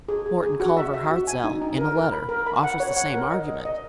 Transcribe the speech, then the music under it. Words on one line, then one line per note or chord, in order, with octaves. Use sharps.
Morton Culver Hartzell, in a letter, offers the same argument.
G#4
G#4
G#4
F#4
E5
E5
F#4
G#5
D#4
D#4
A#4
A#4
B5
A#4
B5
F#5
C#5
F#5
A#4
D#5
D#5
D#5